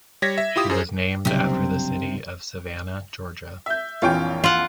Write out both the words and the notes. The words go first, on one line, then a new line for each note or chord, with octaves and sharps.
She was named after the city of Savannah, Georgia.
G3 C#5 G#6 A#6 B6
E5
E4 F4 G4 D#6
F#2 G#4 C5
F#1 B1 G2 C3 C4
E5 G6
A#1 F2 E3 F4 C#5 G5
F4 F#5